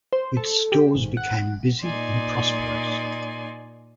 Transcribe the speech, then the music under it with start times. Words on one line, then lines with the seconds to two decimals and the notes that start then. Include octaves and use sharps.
Its stores became busy and prosperous.
0.13 C5
0.37 A4
0.72 G4
0.95 G#1
1.17 F#5
1.82 A#2 D#4 D5 G#5 C6